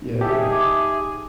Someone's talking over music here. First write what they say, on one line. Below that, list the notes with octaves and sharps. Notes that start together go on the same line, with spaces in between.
Yeah, yeah.
D#4 G4 G#4 E5 A5
D6 D#6 G#6